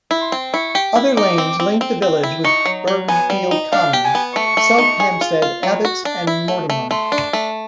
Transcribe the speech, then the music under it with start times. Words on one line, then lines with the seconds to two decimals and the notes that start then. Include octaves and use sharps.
Other lanes link the village with Burghfield Common, Sulhamstead Abbots and Mortimer.
0.11 E4
0.21 C6
0.32 C4
0.53 E4 C#6
0.75 G4
0.96 E4
1.17 D#4 D6
1.38 C4
1.60 C4
1.81 C4
2.02 C4
2.23 E4
2.45 D#4 C#6
2.66 F#3
2.87 F#3
3.08 B3 G#5
3.30 G3
3.51 D#4
3.72 D4 F5
3.93 G4
4.04 G#5
4.15 B3
4.36 A3 C#6
4.57 A3
4.78 D#4
5.00 G#4
5.21 F4
5.42 F4
5.63 F#3
5.85 F#4
6.05 D4
6.27 E4
6.48 A3
6.70 A3
6.91 A3 C6
7.12 D4
7.33 A3